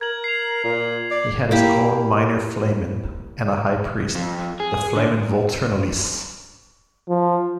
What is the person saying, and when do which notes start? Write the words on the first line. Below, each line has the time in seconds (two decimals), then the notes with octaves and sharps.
He had his own minor flamen, and a high priest, the "Flamen Volturnalis".
0.01 A#4 G#6 F#7
0.24 C7 F7
0.64 A#2
1.11 D5
1.51 A#3 E4 G4
4.15 F2
4.60 G#4
4.96 D3
7.09 F3